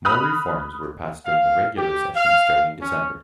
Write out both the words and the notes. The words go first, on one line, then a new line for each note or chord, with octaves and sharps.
More reforms were passed during the regular session starting December.
B5 D#6 F6 F#6
F5
G4
F5
C#4